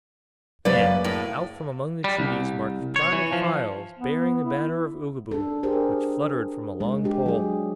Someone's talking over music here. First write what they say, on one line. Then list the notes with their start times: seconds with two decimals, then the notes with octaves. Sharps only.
Then out from among the trees marched Private Files, bearing the banner of Oogaboo, which fluttered from a long pole.
0.65 F#1 F#2 A#3 C#4 F#4 B4 D5 A6
1.04 A2
2.04 G3
2.18 C2
2.96 C#5
3.12 E3
3.33 F3
3.99 B3
4.43 E4
5.31 D4 A4
5.63 D4 G4 G#4 A#4 C5
6.80 G#3
7.04 D4 G4
7.26 F#3 G#4